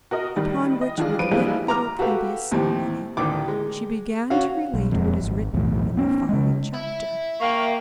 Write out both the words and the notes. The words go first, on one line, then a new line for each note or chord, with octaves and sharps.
Upon which, with very little previous ceremony, she began to relate what is written in the following chapter.
F#4 A#4 D#5
A2 D#3 G3
D#5
D#3 E3 G#3 D4 F4 G#4
F3 B4 D7 D#7
E3 F3 G3 G#3 A#3 E4
A#5 D6 F6
F#4 G4 A4 B4 F5
D#2 A2 C3
A1 D2 D#3 D6
G#3
C#4 F#4 F5
B1
D#1 F2 G#3
D1 G#1
B1 E2 A2
B3 C#4
C#3 G#3
E5 B5
A#3 F5 G5 C#6